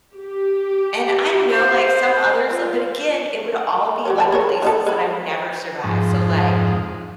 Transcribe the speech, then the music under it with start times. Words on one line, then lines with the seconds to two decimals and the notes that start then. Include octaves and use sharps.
and I don't know, like some others uh, but again, it would all be, like, places that I would never survive, so, like,
0.14 G4
1.50 C5
2.49 F4
4.05 F#3 G4 C#5
4.18 G#5 A5 B5
4.32 G#4 A#4 C#5
4.62 E3 D#4 A4
4.87 G#3 B5
5.84 F2 G#2